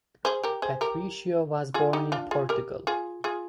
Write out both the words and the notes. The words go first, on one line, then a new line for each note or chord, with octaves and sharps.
Patricio was born in Portugal.
G#4 C5
G4 A#4
G#4 C5
G4 A#4
F4 G#4
D#4 G4
D4 F4
F4 G#4
G4 A#4
F4 G#4
F4 G#4